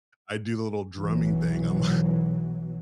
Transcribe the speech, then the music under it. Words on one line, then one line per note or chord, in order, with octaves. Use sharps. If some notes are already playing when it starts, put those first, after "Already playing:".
I do the little drumming thing on my
B1 E3 F#3